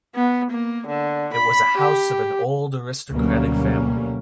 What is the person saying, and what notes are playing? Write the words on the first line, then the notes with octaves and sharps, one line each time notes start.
It was a house of an old aristocratic family.
B3
A#3
D3
B5
G4
D2 B2 F#3 G3 A#3 C#4